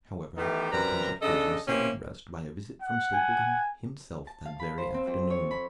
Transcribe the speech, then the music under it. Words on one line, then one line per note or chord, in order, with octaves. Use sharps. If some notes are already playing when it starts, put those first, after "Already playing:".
However, our conjectures were set at rest by a visit from Stapleton himself that very afternoon.
D#3 E3 A3 B3 D#4 G4
F#2 C3 G3 B4 A#5
C#3 D4 A4 D#5
A#3 C4 C#4 E4 G4
F#5
G#5
A5
F5
B5
C5
C4
F2
C#5
B5